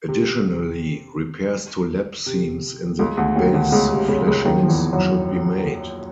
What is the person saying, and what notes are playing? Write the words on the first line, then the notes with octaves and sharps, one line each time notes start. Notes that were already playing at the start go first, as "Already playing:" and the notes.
Additionally, repairs to lap seams in the base flashings should be made.
C3
C3
C#2 C#3
D2 D3
D#2 D#3
D2 D3
C#2 C#3
C3
C#2 C#3
C#2 C#3
D#2 D#3
F3
E2 E3
F#2 F#3